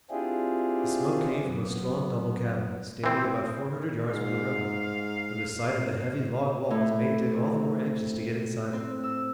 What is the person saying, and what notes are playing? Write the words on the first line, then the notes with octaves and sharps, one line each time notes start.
The smoke came from a strong double cabin, standing about four hundred yards from the road, and the sight of the heavy log walls made Dick all the more anxious to get inside them.
C4 D4 E4 F4 G4 G#4
F#2 B3
E3 C4
G#2 F5
A2
C3
C4
E6